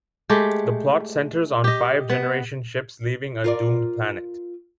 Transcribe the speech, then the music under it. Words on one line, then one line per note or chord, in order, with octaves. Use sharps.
The plot centers on five generation ships leaving a doomed planet.
G#3 A3 G4
G4 D#5
B3
F4 A#4 D5